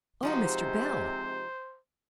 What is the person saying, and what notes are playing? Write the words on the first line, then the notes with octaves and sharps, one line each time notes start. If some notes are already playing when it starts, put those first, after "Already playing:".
'Oh, Mr. Bell!
C3 F3 G#3 D#4 F#4 C5